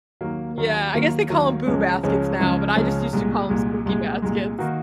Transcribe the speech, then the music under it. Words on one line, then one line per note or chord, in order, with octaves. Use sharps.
Yeah, I guess they call 'em, "Boo Baskets" now, but I just used to call 'em spooky baskets.
D#2 D#3 F#3 A#3
D#2 D#3 F#3 A#3
D#2 D#3 F#3 A#3
D#2 D#3 F#3 A#3
C#2 C#3 F3 G#3 C#4
C#2 C#3 F3 G#3 C#4
C#2 C#3 F3 G#3 C#4
C#2 C#3 F3 G#3 C#4
C2 A#2 G#3
C2 A#2 G#3
C2 A#2 G#3
C2 A#2 G#3
D#3 A#3 D#4 F#4